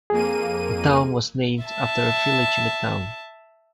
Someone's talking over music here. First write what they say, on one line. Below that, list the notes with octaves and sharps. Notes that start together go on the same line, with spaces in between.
The town was named after a village in the town.
F2 A#3 G#4 D#7
E5 A5